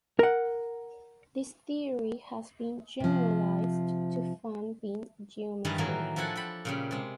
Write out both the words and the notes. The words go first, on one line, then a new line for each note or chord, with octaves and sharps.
This theory has been generalized to fan-beam geometry.
A#4 F#5
C3 F3
G2 D#3 E3 G3 D#5 A5
A2 D#3 E3 F#3 A#3
F3 D4 E4 A4 F#5 G#5
A4 G5 B5
A#2 C#3 G3
C3 G#3